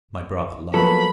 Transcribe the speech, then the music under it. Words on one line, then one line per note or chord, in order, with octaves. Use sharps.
My brother laughed.
F3 F#3 A#3 B3 A4 B5